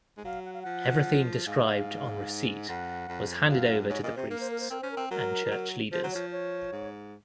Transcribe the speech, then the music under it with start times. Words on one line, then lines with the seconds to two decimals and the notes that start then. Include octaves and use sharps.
Everything described on receipt was handed over to the priests and church leaders.
0.17 G#3
0.25 F#3 F5
0.45 F#5
0.54 F5
0.62 F3 F#5
1.46 G#2 F5
1.67 G#2
2.68 F2 F#5
3.08 F2
3.49 F#2 F5
3.89 G#2 C#5
4.03 A#2 D#5
4.16 C3 C5
4.29 A#3 A#4
4.40 C5
4.51 A#4
4.60 C5
4.70 C4 A#4
4.81 C#4 C5
4.91 A#4
4.97 C4
5.11 F#3 A#4
5.46 F3
5.51 F#3
5.92 F3 C5
6.03 F#3
6.12 F3 C#5
6.32 C#5
6.72 G#2